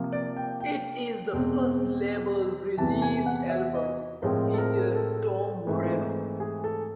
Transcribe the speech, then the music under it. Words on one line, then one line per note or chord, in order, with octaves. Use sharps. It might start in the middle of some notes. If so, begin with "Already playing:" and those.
It is the first label-released album to feature Tom Morello.
Already playing: C3 F3 A#3
D5
G5
G5
E2 B2 G#3 C4
E2 C3 E3 A5
G#5
F#5
E5
D#5
A2 F3 G#3 C4 A#4
A4
A#4
A4
G#2 E3 A3 C4
G#4
A4